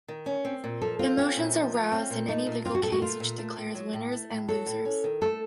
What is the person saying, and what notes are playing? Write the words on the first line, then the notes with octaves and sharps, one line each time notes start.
Emotions are roused in any legal case which declares winners and losers.
D#3
C#4
C4
A#2
F3 A4
C4 F4
C4 C#4
A#2
F3
F4
C4 C#4
A#2
A3 D#4
A#2
C4 F4
F#4
A#2 A4
F#4
A3 F4
A#2
A3
A2
F#3
A2
A3
A2
F#3 A4
A2
C#4
D#3
A3 A4